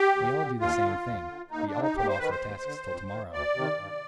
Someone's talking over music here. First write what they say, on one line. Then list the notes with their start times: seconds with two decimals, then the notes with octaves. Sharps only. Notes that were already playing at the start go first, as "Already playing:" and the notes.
We all do the same thing,--we all put off our tasks till to-morrow.
Already playing: G4
0.15 D#2
0.38 D3
0.60 D#2 F4
0.84 D3
1.06 D2
1.28 D3
1.51 D#2 D#4
1.67 D4
1.74 D3
1.82 D#4
1.96 D#2 G4
2.08 C5
2.19 D#3 B4
2.31 C5
2.42 D#2
2.65 D3
2.88 F2
3.10 D#3
3.33 D2 D5
3.55 C3 D#3
3.78 G2